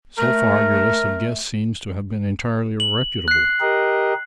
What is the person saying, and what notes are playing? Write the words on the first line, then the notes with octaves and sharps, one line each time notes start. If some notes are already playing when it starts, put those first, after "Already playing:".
"So far, your list of guests seems to have been entirely reputable."
A3 A#4
F#7
F#6 C7
G4 A#4 D#5